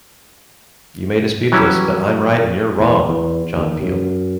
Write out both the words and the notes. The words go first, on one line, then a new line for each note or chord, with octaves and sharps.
You may dispute this, but I'm right and you're wrong! John Peel.
E3 F#3 G3 C#4 E4
E2
E2
D#2
F#2